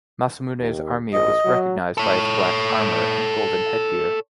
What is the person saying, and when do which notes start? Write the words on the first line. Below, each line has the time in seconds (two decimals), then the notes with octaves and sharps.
Masamune's army was recognized by its black armor and golden headgear.
0.60 D#2
1.13 A#1 D#5
1.45 F#3
1.98 A4 C#5